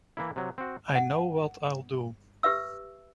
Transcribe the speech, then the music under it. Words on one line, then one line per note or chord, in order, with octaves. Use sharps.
I know what I'll do.
E3 A#3 E4
C3 F#3
C4 F#4
F#5
G4 B4 E5 E6